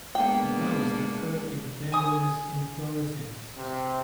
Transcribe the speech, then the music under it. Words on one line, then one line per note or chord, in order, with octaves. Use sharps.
The flowers occur in pendulous inflorescences.
G#3 A#3 B3 D4 G5
G#5 D#6
C3